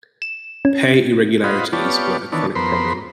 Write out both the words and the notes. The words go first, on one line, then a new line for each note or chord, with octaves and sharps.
Pay irregularities were a chronic problem.
E7
C#4
F4 C5 D#5 F#5 B5
B3 F4 G4 C#5 D5 A5
D#3 E3 B3 D4 C#5 A5
F2 B3 A#4 C5 B5 C6